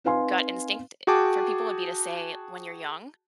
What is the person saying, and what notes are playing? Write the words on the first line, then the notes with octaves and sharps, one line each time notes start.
gut instinct i for people would be to say when you're young,
C4 D#4 B4 F5 G#5 C6
F#4 G#4 G5 A5 D6